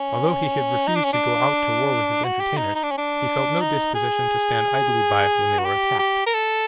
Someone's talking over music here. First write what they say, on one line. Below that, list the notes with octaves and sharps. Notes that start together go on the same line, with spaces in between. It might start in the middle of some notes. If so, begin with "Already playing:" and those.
Although he had refused to go out to war with his entertainers, he felt no disposition to stand idly by when they were attacked.
Already playing: C#4
D#4
D4
C#4
D4
F#4
G4
D#4
D#4
D4
C#4
D4
D#4
G#4
F#4
G4
G4
A#4
A4